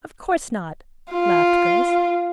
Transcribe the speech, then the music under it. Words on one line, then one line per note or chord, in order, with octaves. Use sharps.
"Of course not," laughed Grace.
F4